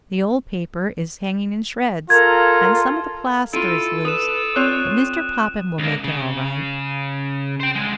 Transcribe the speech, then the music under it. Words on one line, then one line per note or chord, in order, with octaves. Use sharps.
The old paper is hanging in shreds and some of the plaster is loose, but Mr. Popham will make it all right.
F4 A4 A#4 A#5 G#6
E4 F4 A4 D7 D#7
B4 D#6 E7
C4 F4 C#5 F#6
C#2 A#3
C#3
C5 G5
D3 G#3